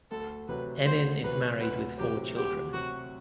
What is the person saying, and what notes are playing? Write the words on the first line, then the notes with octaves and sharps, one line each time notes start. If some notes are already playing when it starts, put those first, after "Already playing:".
Ennin is married with four children.
D2 A4
C3 F#3 B4
D2 C5
C3 F#3 B4
D2 B4
C3 F#3 G4
D2 G4
C3 F#3 F#4